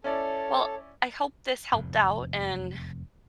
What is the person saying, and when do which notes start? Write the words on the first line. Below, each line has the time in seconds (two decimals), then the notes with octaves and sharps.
well, I hope this helped out, and
0.04 C#4 E4 A4 C#5 D5
1.73 F1 E2 G#2